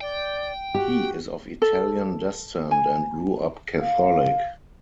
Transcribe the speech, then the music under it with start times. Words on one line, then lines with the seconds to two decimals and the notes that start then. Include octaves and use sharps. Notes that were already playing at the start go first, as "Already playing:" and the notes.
He is of Italian descent and grew up Catholic.
0.01 D5 G5
0.75 F#4 G4
1.62 A4
2.71 G#5
3.79 F5